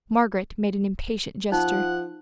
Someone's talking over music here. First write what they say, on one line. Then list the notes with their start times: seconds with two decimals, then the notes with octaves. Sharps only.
Margaret made an impatient gesture.
1.52 F3 D#4 F#5